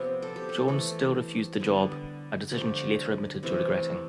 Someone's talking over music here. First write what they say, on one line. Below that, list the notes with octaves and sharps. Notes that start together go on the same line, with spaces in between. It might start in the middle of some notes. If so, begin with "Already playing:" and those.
Jones still refused the job, a decision she later admitted to regretting.
Already playing: C3 F3 B3
A4
G4
A4
E3 A3 A4
D3 G3 B3
D3 F3 A3 G4
C3 E3 A3